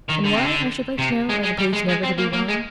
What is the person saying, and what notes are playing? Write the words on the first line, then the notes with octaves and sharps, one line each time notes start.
And why, I should like to know, are the police never to be wrong?
D#3
D3
C3
D3
C3
G#3
G#3
G3
G#3
G#3
C4
A#3
A#3
G#3